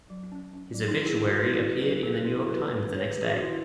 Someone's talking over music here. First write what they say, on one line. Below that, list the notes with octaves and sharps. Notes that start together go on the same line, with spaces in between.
His obituary appeared in the New York Times the next day.
F#3
C#4
C#4
F#3
D#4
D#3 E4
G#4
G#3 G#4
F#4
D#3 E4
F#4
C#4
B4
F#3 B4
A4
C#4 G#4
A4
C#4 E4
F#4
F#3 A4
B4
D#3 B4
B4
G#3
C#5
D#3 B4
G#4
C#4 F#4
E4